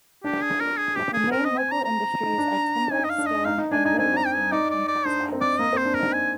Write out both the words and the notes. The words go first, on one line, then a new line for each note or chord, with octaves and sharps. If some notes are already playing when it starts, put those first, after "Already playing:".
The main local industries are timber, stone- and wood-working and textiles.
D4 G4
G#4
A#4
G#4
G4
G#4
C4 A#4
D#5
G#5
A#5
A#5
D#4
D4
D#4 G#5
D#5
F5
D4
D#5
D#4 F5
D#4
D4 G#5
D#4 G#5
C4 G#5
A#5
G5
G#5
D#4 D5
D5
D5
D4 C5
C4
D5
A#3 D#5
C4
C5
D4
D#4 A#4
G#5